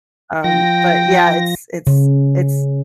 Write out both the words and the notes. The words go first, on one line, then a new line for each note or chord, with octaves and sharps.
um, but yeah, it's it's it's
F3 G5 A#6
C#3